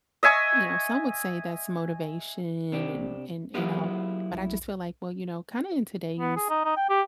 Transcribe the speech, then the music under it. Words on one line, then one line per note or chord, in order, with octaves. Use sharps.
you know, some would say that's motivation and and and all, but I just feel like, well, you know, kinda in today's
D#5 E5 G#5 C#6
C3 D4 G4
F#3 A#3 E4 F4 G4 G#4
B3
G#4
D#4
D#4
G5
G4